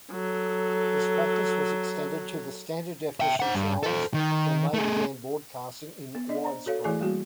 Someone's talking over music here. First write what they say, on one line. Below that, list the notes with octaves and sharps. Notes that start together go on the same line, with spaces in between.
This practice was extended to the standard-definition channels when they began broadcasting in widescreen.
F#3 A4
E5 G5
C5 F#5
G2
A4 C5
D#3
A3 G#4
B3
D4 D5 D#5
C5 A#5
F#4 A4 C#5 F5
E3 A3 E4 G#4 D5 G#5
G3 A#3 F#4